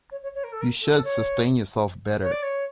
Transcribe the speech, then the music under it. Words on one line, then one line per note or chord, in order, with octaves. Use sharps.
You should sustain yourself better.
C#5
C#5
C#5
A#4
A4
A#4
A4
A#4
A4
C#5
C#5
D5
C#5